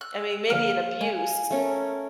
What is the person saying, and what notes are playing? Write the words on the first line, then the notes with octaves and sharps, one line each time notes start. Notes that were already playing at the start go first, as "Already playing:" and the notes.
I mean, maybe an abuse.
E6 F#6
D3 F3 A#3 F5 F6
G#3 G#5
A3 C#4 A#4